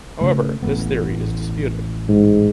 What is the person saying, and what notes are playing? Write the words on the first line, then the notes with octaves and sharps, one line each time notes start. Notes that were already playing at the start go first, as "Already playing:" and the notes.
However this theory is disputed.
C#3 A3
A1 A3 B3
G#2